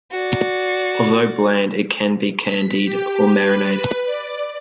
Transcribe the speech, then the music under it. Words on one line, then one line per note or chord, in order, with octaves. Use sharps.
Although bland, it can be candied or marinated.
F#4 D5
B6
G4
B4
D5